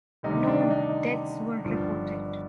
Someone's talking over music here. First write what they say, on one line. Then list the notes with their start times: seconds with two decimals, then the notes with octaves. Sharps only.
No deaths were reported.
0.23 D2 C3 D#3 G3 D#4
0.47 D4
0.61 D4
0.70 D#4
1.65 G1 G2 F3